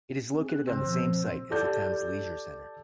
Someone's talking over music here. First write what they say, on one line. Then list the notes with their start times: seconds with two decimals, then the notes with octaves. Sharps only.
It is located on the same site as the town's leisure centre.
0.34 C4 G#4
0.49 F#6
0.67 C2 C#3 C4
0.81 A#2 F3
1.51 G4 A4 D5 A5 D6 G6